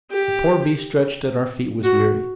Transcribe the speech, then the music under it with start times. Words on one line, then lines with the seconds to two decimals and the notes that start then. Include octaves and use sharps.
The poor beast stretched at our feet was weary.
0.11 G4
1.84 F#4